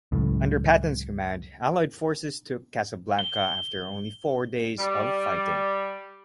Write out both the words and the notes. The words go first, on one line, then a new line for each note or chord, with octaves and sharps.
Under Patton's command, Allied forces took Casablanca after only four days of fighting.
C#2 F#2 A2
G7
G3